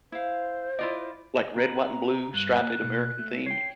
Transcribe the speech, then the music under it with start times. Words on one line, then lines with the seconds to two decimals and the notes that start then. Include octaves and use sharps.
like, red, white, and blue, striped, American themed.
0.12 E4 C5 F5
0.79 E4 F4 D5 D#5
1.56 C4 B4 A#5
2.34 G2 F#6
2.60 A#3
2.82 B2 A#3
3.19 A3
3.46 C#5 G5 C7